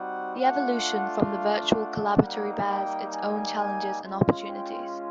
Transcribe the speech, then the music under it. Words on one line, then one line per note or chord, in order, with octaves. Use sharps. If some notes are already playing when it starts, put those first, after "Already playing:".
The evolution from the virtual collaboratory bears its own challenges and opportunities.
Already playing: G3 C4 D#4 F#4 F#5
A3 D4 F4 F#5
F5
F#5
G3 A#3 D#4
G5
G#5
G#5
G#3 C#4 F4
G5